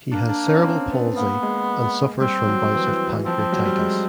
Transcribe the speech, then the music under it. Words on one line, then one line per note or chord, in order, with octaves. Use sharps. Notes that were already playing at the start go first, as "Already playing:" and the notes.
He has cerebral palsy and suffers from bouts of pancreatitis.
A#3 D4
D4
C#4
C4
B3
A#3 B3
G#3
G3 C4
F#3
E3
E3
E3
F3 C4
F3
F#3
G3
G#3